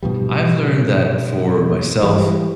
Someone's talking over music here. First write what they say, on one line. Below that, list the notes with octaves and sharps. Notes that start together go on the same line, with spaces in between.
I've learned that for myself
G#2 B2 F3 G3
E3 G3